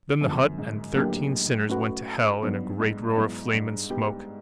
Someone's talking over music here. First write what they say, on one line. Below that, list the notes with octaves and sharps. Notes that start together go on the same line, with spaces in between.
Then the hut and thirteen sinners went to Hell in a great roar of flame and smoke.
F#2 D3 F3 G#3 B3
G#2
A2 F#3 A#3 D4 G4
A3 C#4 F#4 B4
G2 F#3 B3 D#4
G#2
G#2 F#3 B3 E4
G2
B3 D#4 G4 B4